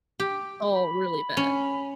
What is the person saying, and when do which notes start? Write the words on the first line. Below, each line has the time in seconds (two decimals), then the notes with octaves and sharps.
all really bad.
0.20 G4
0.75 B5
1.37 C#4